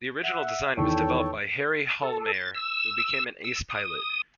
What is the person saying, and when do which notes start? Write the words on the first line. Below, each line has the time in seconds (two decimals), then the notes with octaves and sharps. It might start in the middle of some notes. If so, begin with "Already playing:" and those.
The original design was developed by Harry Hollmeyer who became an ace pilot.
0.24 E5 F#5
0.77 E2 D#3 A4 C#5 G5
2.03 A4
2.34 A6
2.54 E6
3.44 E6
3.70 D#6